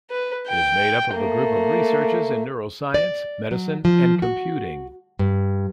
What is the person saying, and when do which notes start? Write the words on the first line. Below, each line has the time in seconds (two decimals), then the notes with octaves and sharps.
It is made up of a group of researchers in neuroscience, medicine, and computing.
0.10 B4
0.48 G5
1.15 A3 A#3
2.94 D5
3.51 F#3
3.85 F3
4.22 F#4
5.19 G2